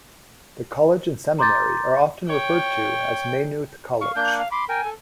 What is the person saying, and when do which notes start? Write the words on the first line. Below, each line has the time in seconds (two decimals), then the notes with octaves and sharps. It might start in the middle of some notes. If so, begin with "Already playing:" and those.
The college and seminary are often referred to as Maynooth College.
1.39 A#5 C6 D6 G6 A6
2.30 C#5 G5
4.01 F5 C#6
4.16 A#3 D4 G6
4.38 F5
4.51 B5 C6 D6
4.69 A#4 G5 G#5
4.85 A4